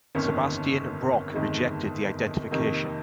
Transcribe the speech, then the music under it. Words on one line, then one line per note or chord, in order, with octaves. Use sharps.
Sebastian Brock rejected the identification.
G1 F2 D#3 A#3 C#4
G1 F2 D#3 G#3 D#4
F2 C3 D#3 A#3 D#4